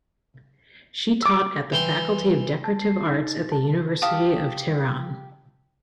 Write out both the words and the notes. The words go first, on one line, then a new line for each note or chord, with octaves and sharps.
She taught at the Faculty of Decorative Arts at the University of Tehran.
D6 E6
E3 G5 C6
A5
C7
D#4
A6
A5
G4 F5 A5 D#6